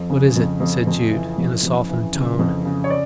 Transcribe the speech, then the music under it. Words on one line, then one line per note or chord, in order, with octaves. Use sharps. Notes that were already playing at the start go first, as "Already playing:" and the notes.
"What is it?" said Jude, in a softened tone.
Already playing: F2
C#3
F2
F2
F2
E3
F2
F2
E3
C#3
F2
C#3
C#5
D5